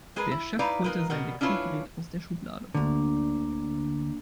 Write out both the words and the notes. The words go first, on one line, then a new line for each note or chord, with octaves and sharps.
Der Chef holte sein Diktiergerät aus der Schublade.
G#3 G#4 A#4 B4
E4
D#4 E4 B4 D5 F5 A#5
G#3 D#4 F4 A#4 B4
B2 G3 A#4 F#5
C#4 D4 E4 F4 B4 C#5
D2 D3 A#3 D4